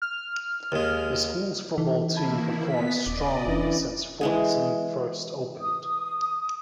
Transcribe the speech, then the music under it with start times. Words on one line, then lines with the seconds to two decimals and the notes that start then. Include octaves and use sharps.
The school's football team performed strongly since Fordson first opened.
0.02 F6
0.72 D#2 G#3
1.78 E3 D#4 A4
2.17 D#3 A#3 E4 A5 B5 G#6
2.63 B3 A#4 B4 B6
3.07 D#1 D5 D#5 D6
3.46 F1 E3 C#4 D4 F4
4.21 E3 G#3 G#4
5.60 D#6